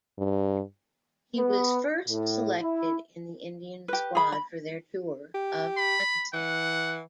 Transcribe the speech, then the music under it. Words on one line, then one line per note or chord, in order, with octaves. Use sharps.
He was first selected in the Indian squad for their tour of Pakistan.
G2
B3
A2
E4
G4 B4
G#4 B5
B5
G4
B5
E3 F#5